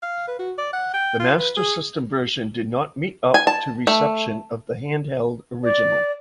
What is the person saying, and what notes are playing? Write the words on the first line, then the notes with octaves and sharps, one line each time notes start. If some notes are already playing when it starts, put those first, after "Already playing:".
The Master System version did not meet up to reception of the handheld original.
F5
B4
F#4
D5
F#5
G5
F4
B4
G#4
G#5
A5
A3
D5